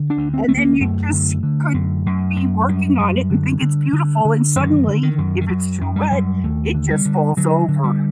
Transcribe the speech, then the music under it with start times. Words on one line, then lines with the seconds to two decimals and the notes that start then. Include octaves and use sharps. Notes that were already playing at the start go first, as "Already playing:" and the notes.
and then you just could be working on it and think it's beautiful and suddenly, if it's too wet, it just falls over
Already playing: D3
0.10 D4
0.17 D2
0.34 C4
0.48 D2 A3
0.57 A#3
0.81 F#2 A3
1.12 D3
1.43 D3
1.74 F#2
2.06 F#2
2.36 F#2
2.69 F#2 G3
2.99 F#2
3.30 D3
3.62 D3
3.93 D3
4.25 D3
4.56 F#2 D#3
4.87 D3
5.03 D#3
5.18 F#2
5.41 D#3
5.50 F#2 F#3
5.81 F#2
5.96 G3
6.12 F#2
6.43 D#2 A3
6.74 D3
6.90 G3
7.06 D3
7.37 D3 F#3
7.68 D3
7.84 G3